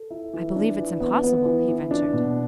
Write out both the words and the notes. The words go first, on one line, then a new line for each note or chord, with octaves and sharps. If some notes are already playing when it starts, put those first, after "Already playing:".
"I believe it's impossible," he ventured.
Already playing: A4
E4
E3
D4
E3
B3
B3
E3
E3
D4
B2